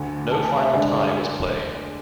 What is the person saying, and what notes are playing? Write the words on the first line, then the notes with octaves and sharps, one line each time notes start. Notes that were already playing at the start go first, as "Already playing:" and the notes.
No final tie was played.
Already playing: D2 D3 A3
A5
G#5
E5
D2 D3 G#3 D4 G#5